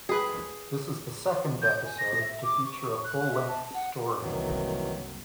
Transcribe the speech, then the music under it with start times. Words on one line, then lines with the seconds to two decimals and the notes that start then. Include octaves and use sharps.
This is the second episode to feature a full length story.
0.09 G#4 B4
1.62 G6
1.85 G#5
1.98 A#6
2.21 E5
2.43 D6
2.66 C#6
3.04 F#6
3.32 E5
3.48 A5
3.74 F#5
4.21 F#1 C2 D#3 E3 F#3